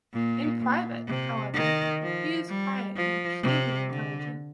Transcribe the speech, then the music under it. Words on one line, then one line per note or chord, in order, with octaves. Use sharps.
In private, however, he is quiet and keenly intelligent.
A#2
A#2
C3
D#3
F3
G3
F3
C3
D3